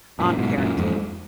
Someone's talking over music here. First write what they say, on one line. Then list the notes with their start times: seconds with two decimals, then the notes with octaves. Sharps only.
on parenting.
0.19 F#2 A#2
0.38 G#2 B2
0.57 F#2 A#2
0.77 F2 G#2